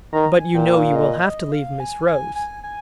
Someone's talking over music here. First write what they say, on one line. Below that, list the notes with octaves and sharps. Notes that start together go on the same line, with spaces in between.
"But you know you will have to leave Miss Rose."
D#3 A#5
G#5
A#2 G5
F5
D#5
D#5
F5
G#5
G#5
G#5
G#5